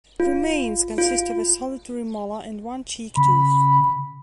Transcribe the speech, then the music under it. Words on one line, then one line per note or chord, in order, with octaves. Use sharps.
Remains consist of a solitary molar and one cheek tooth.
F4
F4
C#3 B5